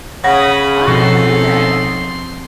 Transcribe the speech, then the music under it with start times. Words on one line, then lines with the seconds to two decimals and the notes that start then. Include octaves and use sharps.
I never knew that.
0.24 C#3 F#5 B5 D#6 A#6
0.88 B2 F3 C4 C#4 D#4 A4 C6